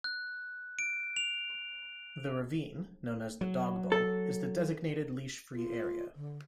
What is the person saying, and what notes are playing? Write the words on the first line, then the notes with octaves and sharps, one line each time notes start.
The ravine, known as the dog bowl, is the designated leash-free area.
F#6
D7
F7
F#3
A4
F4
D3